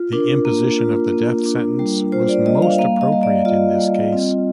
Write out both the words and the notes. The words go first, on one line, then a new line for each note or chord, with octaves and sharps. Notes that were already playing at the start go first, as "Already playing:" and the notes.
The imposition of the death sentence was most appropriate in this case.
Already playing: F4
D4 A#4
A#3
F4
A#3
D4
G3
F4 C5
D5
G3 D#5
F5
A#3 F5
D#5
G3
D5
F4 D#5
G3
C4